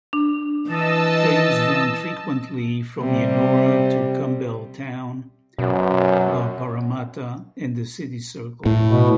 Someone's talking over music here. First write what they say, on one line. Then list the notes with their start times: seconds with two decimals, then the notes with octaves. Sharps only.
Trains run frequently from Yennora to Campbelltown, Parramatta and the City Circle.
0.13 D4
0.68 E3 D#5 A5 E6
2.99 C3 G3
5.59 F#2 B2
8.66 A2
8.86 B2